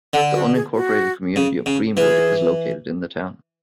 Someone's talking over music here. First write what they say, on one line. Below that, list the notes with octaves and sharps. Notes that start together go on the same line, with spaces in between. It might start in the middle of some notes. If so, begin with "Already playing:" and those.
The unincorporated community of Greenwood is located in the town.
D3 A4
F#4
G#4
F#4
C#3
C#3
E3 G#4